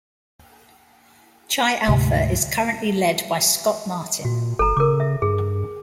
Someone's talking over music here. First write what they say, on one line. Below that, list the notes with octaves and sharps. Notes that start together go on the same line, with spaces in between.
Chi Alpha is currently led by Scott Martin.
D2 G#2 C3
A#2 F#4
G1 A4 A#5
C#3 A#4 D6
E5
G2 G#4